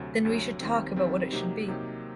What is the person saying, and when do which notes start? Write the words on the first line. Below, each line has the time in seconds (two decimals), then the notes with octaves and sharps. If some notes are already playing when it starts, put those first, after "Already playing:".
Then we should talk about what it should be.
Already playing: D2 C3 F#3
0.25 D2 C3 F#3
0.60 D#2 D#3 G3 C4
0.96 D#2 D#3 G3 C4
1.32 C3 F#3 A#3 D#4 G4
1.68 C3 F#3 A#3 D#4 G4